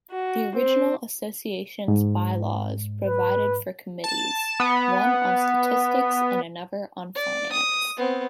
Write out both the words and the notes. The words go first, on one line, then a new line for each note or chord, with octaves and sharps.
The original association's By-laws provided for committees: one on statistics and another on finance.
F#4
C4
G#2
B4
A5
B3
D5
D#6
B3 C4